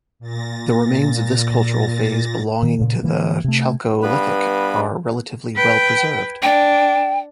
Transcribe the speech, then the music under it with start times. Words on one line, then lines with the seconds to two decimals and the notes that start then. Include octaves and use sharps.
The remains of this cultural phase belonging to the Chalcolithic are relatively well preserved.
0.19 A#2 A6 A#6
2.62 A#2 D#3
2.79 A#2 C#3
3.03 D3 E3 G#3 A#3
3.44 C3 A3
4.03 G2 B3 B4 B5
5.56 B4 G5
6.42 D4 G5